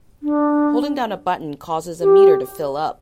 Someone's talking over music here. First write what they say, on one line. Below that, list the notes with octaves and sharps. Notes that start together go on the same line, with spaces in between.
Holding down a button causes a meter to fill up.
D4
G4